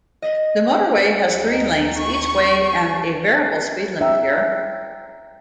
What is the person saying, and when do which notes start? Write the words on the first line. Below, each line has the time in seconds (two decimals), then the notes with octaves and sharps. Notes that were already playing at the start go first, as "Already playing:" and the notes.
The motorway has three lanes each way and a variable speed limit here.
0.22 D#5
1.38 D#4
1.98 C#6
4.01 E5 G5 A#5